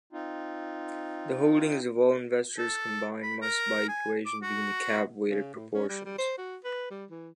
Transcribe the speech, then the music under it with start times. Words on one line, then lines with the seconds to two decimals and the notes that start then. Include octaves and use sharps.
The holdings of all investors combined must, by equation, be in the cap-weighted proportions.
0.13 C4 D#4 F4
2.58 A4
3.22 B5
3.42 A#4
3.88 G#5
4.26 D6
4.42 F#4
5.31 C#3
5.54 A2
5.74 C#4
5.89 G3
6.05 G3
6.18 C5
6.38 F#4
6.64 B4
6.90 G3
7.10 E3